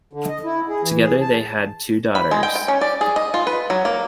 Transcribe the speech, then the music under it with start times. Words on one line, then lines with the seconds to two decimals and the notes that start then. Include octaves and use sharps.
Together, they had two daughters.
0.13 D3
0.29 D#5
0.44 E4
0.69 G#4
0.82 E3
1.03 G#4
1.21 A5
2.15 B5
2.31 G#3
2.43 G5
2.55 G5
2.68 C#4
2.81 D5
3.01 G#4
3.16 D#5
3.34 F4
3.47 B4
3.70 F#3
3.85 A#3